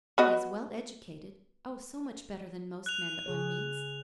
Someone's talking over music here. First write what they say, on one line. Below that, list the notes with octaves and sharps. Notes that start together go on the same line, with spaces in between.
He is well educated;--oh, so much better than most men that one meets.
B3 F#4 D#5
F#6 F7
C#3 G#4 C#5